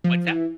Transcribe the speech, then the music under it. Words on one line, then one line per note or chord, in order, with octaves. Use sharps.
What's that?
F3
E3